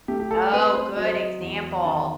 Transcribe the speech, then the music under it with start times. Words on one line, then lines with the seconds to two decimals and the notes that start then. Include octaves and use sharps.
Oh, good example.
0.08 A3 G4
0.20 G4
0.31 A4
0.53 C4 B4
0.75 C5
0.97 F#3 D#5
1.05 C5
1.13 D#5
1.40 E2
1.85 D#3 A5